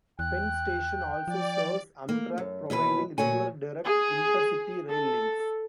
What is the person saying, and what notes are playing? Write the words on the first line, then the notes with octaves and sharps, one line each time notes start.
Penn Station also serves Amtrak, providing regular direct inter-city rail links.
E2 G5 F#6
F3 D5
A#3
F#2
D#2 B2 E3 B4
A#2 F#4 C#5 G#5
G#4
A4